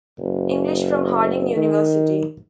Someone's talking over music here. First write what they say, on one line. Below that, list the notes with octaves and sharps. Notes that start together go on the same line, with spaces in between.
English from Harding University.
F#1
D#3